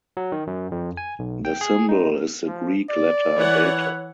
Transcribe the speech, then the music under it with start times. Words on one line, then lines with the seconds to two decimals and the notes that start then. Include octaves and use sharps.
The symbol is the Greek letter beta.
0.17 F#3
0.32 D#3
0.47 F#2
0.72 F2
0.97 G#5
1.19 B1
1.45 G5
1.61 G#4
1.89 D#4
2.47 F3
2.90 D5
3.36 E3 C#5 F#5